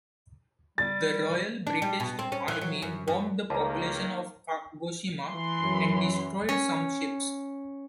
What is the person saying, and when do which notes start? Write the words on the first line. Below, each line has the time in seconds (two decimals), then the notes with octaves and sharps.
The Royal British Army bombed the population of Kagoshima and destroyed some ships.
0.78 G3 A6
1.67 D4
1.82 G3
2.00 B2
2.19 C4
2.32 C#4
2.48 E3
2.61 F#3
2.82 F#2
3.08 F#2
3.50 C#2 D#3 G3 A#3 A5 A#5
5.26 E3 C6
5.62 F#2 F#3
6.49 C#4